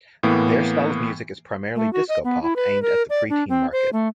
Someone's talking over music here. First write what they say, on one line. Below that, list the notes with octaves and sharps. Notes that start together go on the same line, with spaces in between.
Their style of music is primarily disco-pop, aimed at the pre-teen market.
A2 E3 A#3 B3
A3
F#4
D#5
B3
E4
B4
A#4
D5
D4
C4
C5
A3